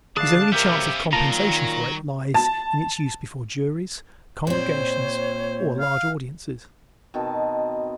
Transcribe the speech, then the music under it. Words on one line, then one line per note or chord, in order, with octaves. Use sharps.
His only chance of compensation for it lies in its use before juries, congregations or large audiences.
D2 D4 G#4 F5 A5
B1 B3 C#4 G4 A#4 C5 E5 F5
D#3 F3 A#3 F4 A5 A#5
D#3 F#3 A#5
A5
A#2 C4 C5 C#5
F5
B2 D#3 C4 A5